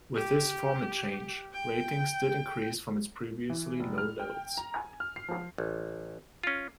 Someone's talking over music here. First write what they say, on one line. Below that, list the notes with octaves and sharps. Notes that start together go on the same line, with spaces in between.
With this format change, ratings did increase from its previously low levels.
G4
G5
E3
F1
F6
G5
A#5
G#5
F6
C7
F3
A1
C#4 F4